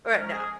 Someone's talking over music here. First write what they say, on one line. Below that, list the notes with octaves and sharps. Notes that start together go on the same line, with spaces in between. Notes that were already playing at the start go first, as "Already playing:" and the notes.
Right now.
F3 G#3 C#4 A#4
G#4